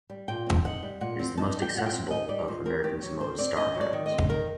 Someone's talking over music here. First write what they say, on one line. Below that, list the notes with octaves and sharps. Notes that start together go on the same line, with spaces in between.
It is the most accessible of American Samoa’s star mounds.
G3
A#2 G5
C4
D#4 F#5
G3
A#2 F#5
C4
D#4 A5
G3
G5
A#2 F#5
G5
C4
D#4 D#5
G3 D5
A#2 C5
C4 A#4
D#3 G4
F#3
D#3 C5
C4 D5
D#3 D#5
F#3
D5
D#3
D#5
C4
D#3 A#4